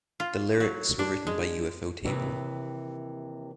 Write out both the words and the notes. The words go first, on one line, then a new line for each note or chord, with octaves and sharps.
The lyrics were written by ufotable.
F4
F#3
D4
G#3
D#2 G#2 C3 E3